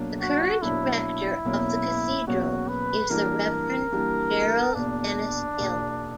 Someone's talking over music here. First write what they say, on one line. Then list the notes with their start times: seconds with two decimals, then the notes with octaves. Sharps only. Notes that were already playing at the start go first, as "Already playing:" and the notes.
The current rector of the cathedral is the Reverend Gerald Dennis Gill.
Already playing: B2 F#3 A#3 D4
0.21 F#4
0.62 B2 F#3 A#3 D4 E4
1.45 E2 B2 F#3 A#3 C#4
2.27 E2 B2 F#3 A#3 C#4 F#4
2.68 B4
3.09 E3 G3 A#3 D4 G4 A#4
3.92 E3 G3 A#3 D4 G4
4.74 E2 B2 A#3 D4
5.57 E2 B2 A#3